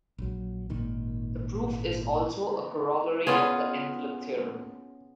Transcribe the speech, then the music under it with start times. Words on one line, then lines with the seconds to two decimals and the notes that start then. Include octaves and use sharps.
The proof is also a corollary of the envelope theorem.
0.18 A#1 F#3
0.69 G#1 A#2 D#3
3.27 B3 C#4 F4 G#4